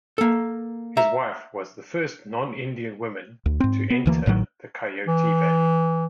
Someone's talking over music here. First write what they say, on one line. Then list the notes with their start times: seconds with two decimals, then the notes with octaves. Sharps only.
His wife was the first non-Indian woman to enter the Coyote Valley.
0.18 A#3 A4
0.97 E5 A#5
3.46 D2
3.60 G#2 C4
3.90 B3
4.06 D2 E3 A#3
4.26 A1 A2 D#3 F#3
5.07 E3